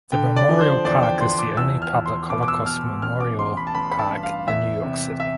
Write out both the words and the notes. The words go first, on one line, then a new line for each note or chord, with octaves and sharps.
The Memorial Park is the only public Holocaust memorial park in New York City.
D3 G5
D5
F3
C5
E2 D5
G5
F3 C6
C6
D6
E2 E6
F6
E2
C6
B2 D6
D6
E6
B2 F6
A1 F6
D6
A1 C6
B5
A5
A1 B5
B5
A5
G2
F5
E2 E5
C3
E5